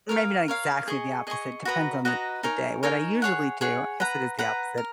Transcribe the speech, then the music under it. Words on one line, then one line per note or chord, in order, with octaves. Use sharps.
maybe not exactly the opposite, depends on the the day. What I usually do- I guess it is the opposite-
A#4 C#5 F5
A#4 C#5 F5
G#4 D#5 G#5 C#6
G#4 D#5 G#5 C#6
F#4 B4 D#5 A#5
F#4 B4 D#5 A#5
D#4 A#4 C#5 G#5
D#4 A#4 C#5 G#5
G#4 C#5 F#5
G#4 C#5 F#5
B4 F#5 A#5
B4 F#5 A#5
A#4